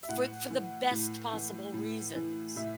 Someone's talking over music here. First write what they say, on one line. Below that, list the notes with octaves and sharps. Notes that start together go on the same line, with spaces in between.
for for the best possible reasons.
E5
A2 F#5
E3
A2
E3
A2
E3
A2 E5